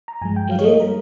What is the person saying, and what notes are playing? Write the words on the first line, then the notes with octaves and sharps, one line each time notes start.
It is.
A#5
G2 F3 G#3 G#5
G5
F5
C#5
D#5
G3 A#4